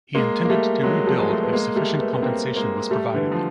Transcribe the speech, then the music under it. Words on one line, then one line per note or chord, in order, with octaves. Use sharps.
He intended to rebuild if sufficient compensation was provided.
G#3 A#3
A#3
G3 A3
F#3 G#3
F3 G3
G#3
G3 A3
B3
G#3 A#3
G3 A3
A3 B3
B3
A#3 C4
G#3 A#3
G3 A3
D3 E3
F3